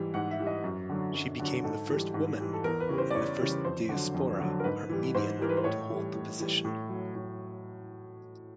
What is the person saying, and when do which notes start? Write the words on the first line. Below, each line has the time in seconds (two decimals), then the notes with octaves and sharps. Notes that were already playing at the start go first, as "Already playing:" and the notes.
She became the first woman and the first diaspora Armenian to hold the position.
Already playing: G#2 E3 G3
0.14 G#2 F#5
0.31 E5
0.39 E3 G3
0.47 D#5
0.64 F#2
0.89 D3 F#3
1.14 F#2
1.39 D3 F#3
1.64 G#2 A4
1.89 E3 G3
2.14 G#2
2.40 E3 G3
2.53 A4
2.64 E2 A#4
2.80 B4
2.89 C#3 E3 G3
2.98 C5
3.10 D5
3.15 E2 C#5
3.39 C#3 E3 G3
3.65 F2 C5
3.89 D3 F#3
4.14 F2
4.40 D3 F#3
4.60 A#4
4.64 G#2 B4
4.89 E3 G3
5.15 G#2 C5
5.39 E3 G3 A#4
5.49 B4
5.57 C5
5.64 A2 C#5
5.89 E3 G3
6.15 A2
6.40 E3 G3
6.64 A2
6.89 F#3
7.15 A2